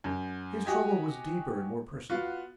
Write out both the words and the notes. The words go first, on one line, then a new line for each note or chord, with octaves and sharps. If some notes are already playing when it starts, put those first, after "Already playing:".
His trouble was deeper and more personal.
F#2
F#4 G4 D#5 G#5
B3 F4 F#4